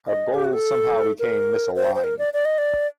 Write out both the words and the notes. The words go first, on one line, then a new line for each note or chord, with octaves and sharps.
Our goals somehow became misaligned.
D#5
G4
F#4
A4
A#4
C5
C5
A#4
D5
D5
D#5
D5